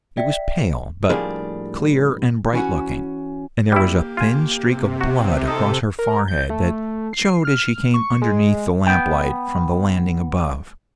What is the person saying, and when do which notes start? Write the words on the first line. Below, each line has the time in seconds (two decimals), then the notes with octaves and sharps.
It was pale, but clear and bright-looking, and there was a thin streak of blood across her forehead that showed as she came underneath the lamp-light from the landing above.
0.17 D5 E5 G5 B6
1.10 A2 F3 G3 A#3 D4 G#4
2.53 E3 C#4 F#4
3.72 G3 A#3 E4 G4
4.17 F4 G#5
4.52 C3
5.01 F#4
5.48 D#4 A4
5.99 A#4
6.28 G6
6.50 A3
7.13 C7
7.45 F6
7.94 C#6
8.22 G#3
8.86 B3 G5